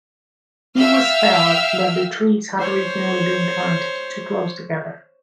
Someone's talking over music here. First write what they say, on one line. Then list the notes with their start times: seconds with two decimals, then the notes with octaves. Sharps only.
It was felt that the trees had originally been planted too close together.
0.77 E5 F5 G5 E6 F6
2.60 C5 C#5